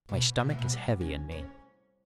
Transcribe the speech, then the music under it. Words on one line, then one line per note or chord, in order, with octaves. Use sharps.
My stomach is heavy in me.
B2
B2
A2
B2
G3
C#4
C#4